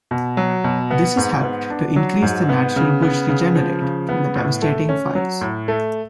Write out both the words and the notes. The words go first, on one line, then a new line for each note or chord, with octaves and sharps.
This has helped to increase the natural bush regenerate from the devastating fires.
B2
F#3
B2
B3
G#2
B3
D4
F#3
G#2
B3
C#3
B3
C#3
F3
C#3
B3
A2
A3
C#4
F#3
A2
A3